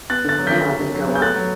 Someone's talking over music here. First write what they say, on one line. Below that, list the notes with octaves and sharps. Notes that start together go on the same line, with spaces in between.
Now they go up.
B3 F#6 A6
D3 F#6 A6
F#3
D3 G6 B6
D3
D3
F#3
B3
G6
A3 F#6 A6
F#3